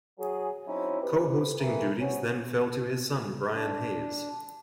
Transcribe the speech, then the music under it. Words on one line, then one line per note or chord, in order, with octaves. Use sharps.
Co-hosting duties then fell to his son, Brian Hayes.
F#3 G#4
F#3 C4 C#4 D#4 E4
C4 G4 B4
G2 E3 A3 A#4 B4
C3 B3 C#4
D4